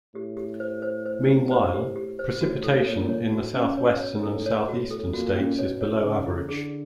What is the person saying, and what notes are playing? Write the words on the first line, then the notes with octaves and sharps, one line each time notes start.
Meanwhile, precipitation in the southwestern and southeastern states is below average.
A2 G4
G4
C5
C5
C5
G4
C5
G4
G4
C5
A2 F#4
A4
A#2 C#5
C#5
F#4
C#4
B2 C#5
C#5
A2 A4
C#5
A2 F#4
A4
A#2 F#4
C#4
B2 C#5
C#5
C#3 G#4
E4
D3 G#4